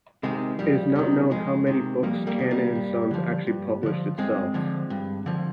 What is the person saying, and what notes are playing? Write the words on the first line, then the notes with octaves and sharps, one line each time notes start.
It is not known how many books Cannon and Sons actually published itself.
C3 D#3 G#3
F2 G3
C3 D#3
F2 G#3
C3 D#3
F2 G3 A#3
G3 A#3
C3 D#3
G3 A#3
G2
D3 F3
G2
D3 F3
G2 G#3 C4
D3 F3
G2
D3 F3